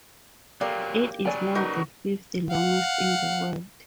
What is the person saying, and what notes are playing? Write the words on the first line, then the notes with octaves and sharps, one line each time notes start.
It is now the fifth longest in the world.
A#2 F#3 A#3 G4 D5
C#3 F#3 D5 G#5
D#4 F#4 A#4 B4
F5 F#5